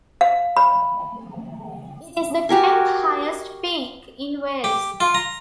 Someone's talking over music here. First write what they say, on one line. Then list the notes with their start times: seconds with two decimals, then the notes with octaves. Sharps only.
It is the tenth highest peak in Wales.
0.21 F5
0.57 B5
2.49 F#4 G4 A#4 G#5
4.64 G4
5.00 F4
5.15 A#5